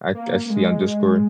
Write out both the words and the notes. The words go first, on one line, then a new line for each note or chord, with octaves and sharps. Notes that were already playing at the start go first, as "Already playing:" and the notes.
I c I see on Discord.
A#3
A#3
G#3